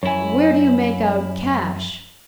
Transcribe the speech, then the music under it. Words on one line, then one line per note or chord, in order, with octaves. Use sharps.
"Where do you make out cash?"
F#2 E4 C#5 G#5